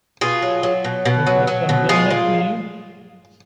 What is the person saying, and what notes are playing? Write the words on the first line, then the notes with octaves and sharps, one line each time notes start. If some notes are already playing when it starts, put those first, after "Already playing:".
Ain't my son good enough for you?
B2 F4 G#4
F#3
F#3
B2
B2
F#3
F#3
B2
G#3 F4 G#4
A#2